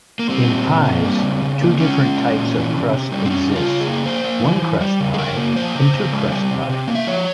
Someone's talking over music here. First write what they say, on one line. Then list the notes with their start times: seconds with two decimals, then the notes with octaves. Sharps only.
In pies, two different types of crust exist: one-crust pie and two-crust pie.
0.19 A#3
0.29 G3 C4
0.48 A#2
0.67 A#2
0.85 A#3
1.04 G3
1.23 C#3
1.42 C#3
1.61 A#3
1.80 G#3 C#4
1.99 G#3
2.17 A#2
2.36 A#2
2.55 E3
2.74 C3
2.93 C3
3.12 G3
3.25 C4
3.30 G3 C#4
3.49 C#3
3.55 F4
3.68 C#3
3.80 G#4
3.87 A#3
4.06 A#3 C5
4.24 A#3
4.43 E3
4.62 E3
4.81 G3
5.00 C#3
5.14 G#4
5.18 C#3 A#4
5.37 A#3
5.56 F3 C5
5.75 C#3
5.94 C#3
6.13 G#3
6.32 G3
6.51 C3
6.69 C3
6.88 A#3
6.95 E5
7.07 F3 C#5